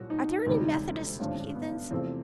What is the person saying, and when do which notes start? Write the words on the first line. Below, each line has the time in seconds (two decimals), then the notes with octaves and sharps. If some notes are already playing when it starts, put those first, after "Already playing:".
Are there any Methodist heathen?
Already playing: C2 A#2 F#3 A#3 F#4
0.10 D#4
0.46 E1 D2 C3 D#3 G3
1.19 G#1 G2 D3 F3 C#4
1.55 B3
1.91 E2 C3 F3 A3 C4